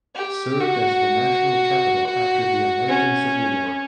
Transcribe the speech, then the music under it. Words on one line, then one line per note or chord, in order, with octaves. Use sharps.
Served as the National capital after the American Civil War.
G4
F#4
C#4